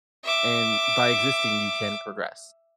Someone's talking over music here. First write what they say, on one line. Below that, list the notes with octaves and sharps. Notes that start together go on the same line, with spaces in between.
and by existing, you can progress.
E5 D6